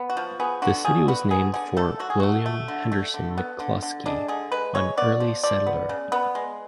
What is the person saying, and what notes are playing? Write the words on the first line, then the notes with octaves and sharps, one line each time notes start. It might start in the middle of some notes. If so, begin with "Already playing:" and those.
The city was named for William Henderson McClusky, an early settler.
Already playing: B3
F#4
F3
B3 G#4
D3 F#4
F3 G#4
B3 F#4
D3 G#4
D3 G#4
A3 A4
F#3 F#4
G#4
A3 F#4
A3
D3
A3
D3
B3
D3
D3
G#3 D4
D3 G#4
G#3 B4
G#3 C#5
B3 D5
F3
F3 D5
B3
C#3
B3
G#3